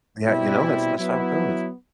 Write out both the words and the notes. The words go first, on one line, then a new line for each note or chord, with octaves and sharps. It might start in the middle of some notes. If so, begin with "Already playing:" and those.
Yeah, you know, that's that's how it goes.
B2 G3 C4 E4
F#3 B3 E4